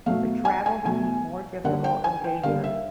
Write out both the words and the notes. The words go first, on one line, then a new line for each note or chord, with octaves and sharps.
The travel became more difficult and dangerous.
B2 F#3 A3 F5
G#5
G#5
B2 F#3 A3 G#5
D3 G3 A#3 F#5
G5
G#5
G5
D3 G3 A#3 F5
E5